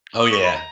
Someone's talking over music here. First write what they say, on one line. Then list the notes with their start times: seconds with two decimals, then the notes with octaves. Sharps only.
Oh, yeah.
0.19 D#6
0.31 C#6
0.43 B5
0.54 A#5